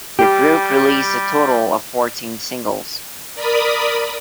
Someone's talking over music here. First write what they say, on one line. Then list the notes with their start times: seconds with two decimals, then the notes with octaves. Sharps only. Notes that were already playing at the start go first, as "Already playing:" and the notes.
The group released a total of fourteen singles.
0.19 G3 G4
3.34 A#4 D5 B5 D#6